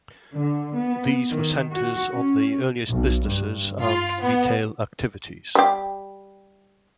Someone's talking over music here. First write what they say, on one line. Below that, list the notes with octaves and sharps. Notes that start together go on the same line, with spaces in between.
These were centers of the earliest businesses and retail activities.
D3
B3
D#3
F#4
C#4
B1
G2
F4
B3
G3 G4